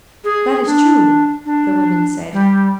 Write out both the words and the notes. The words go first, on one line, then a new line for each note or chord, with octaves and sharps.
"That is true," the women said.
G#4
D4
D4
G3